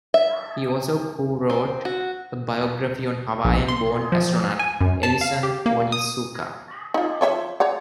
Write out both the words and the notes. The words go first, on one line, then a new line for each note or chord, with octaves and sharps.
He also co-wrote a biography on Hawaiian-born astronaut Ellison Onizuka.
E5
C4
F#4
A#1
C6
F3
G#5
F#2
A5
F5
G4
A#3
D#6
D#4 F4
F3 C#5 E5
C#5 D5 F#5